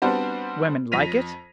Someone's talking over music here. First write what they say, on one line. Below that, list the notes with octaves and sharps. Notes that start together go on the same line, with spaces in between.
"Women like it."
G3 B3 C4 D4 F#4 C5
F2 A#6 B6 D#7 F7